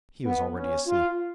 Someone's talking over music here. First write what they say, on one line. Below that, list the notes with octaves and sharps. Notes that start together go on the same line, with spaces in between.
He was already asleep.
B3
C#4
F4